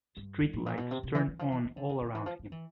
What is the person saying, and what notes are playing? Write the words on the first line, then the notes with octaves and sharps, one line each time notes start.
Street lights turn on all around him.
G2
G2
A2
A#2
B2
C3
C3
E3
E3
F3
E3
D#3
D3
C#3
D3
E3
F3
F3
E3